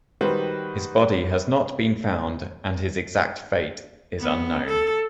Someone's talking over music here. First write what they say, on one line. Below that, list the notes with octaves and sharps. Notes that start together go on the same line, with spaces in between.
His body has not been found and his exact fate is unknown.
D#3 G3 F#4 B4 C5
B3
A4